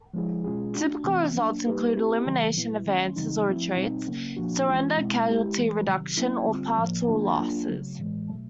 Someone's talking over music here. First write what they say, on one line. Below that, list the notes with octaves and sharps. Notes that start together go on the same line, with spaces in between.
Typical results include elimination, advances or retreats, surrender, casualty reduction, or partial losses.
F3 G#3 B3 E4 G#4
B2 G#3 C#4 F4 G#4
A3 D4 F#4
C3 E3 A3 C4
F#3 A#3 D4
G3 A#3 D#4 G4 B4
A3 C4 E4 G4
C#3 E3 G3
A#2 F#3 B3 E4
D#3 F#3 A3 C#4
C#3 E3 G3 C4 D#4
F3 A3 C4 E4
B2 G3 C4 D#4
C#3 F#3 A#3 C#4
A#2 F3 A#3 D4 F#4
E3 G#3 C#4 F4
B2 G#3 C4 E4
G#3 B3 E4 G4
E3 G#3 B3
C3 D#3 F#3
F#3 A#3 C#4 E4
D3 G3 C4 F4
A2 F3 A#3
D#3 F#3 A#3 D4 F4
F#3 A#3 D4 F4
C#3 F#3 A3
A2 E3 G#3
B2 F#3 A3